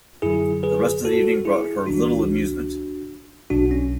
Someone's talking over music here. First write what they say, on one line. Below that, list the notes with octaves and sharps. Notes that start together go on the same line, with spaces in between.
The rest of the evening brought her little amusement.
F#2 D3 F#3 E4 G#4
G#4 B4
F#4 A4
E4 G#4
C#2 C#3 E3 G#3 D4 F#4
B1 B2 F#3 D4 F#4
C#4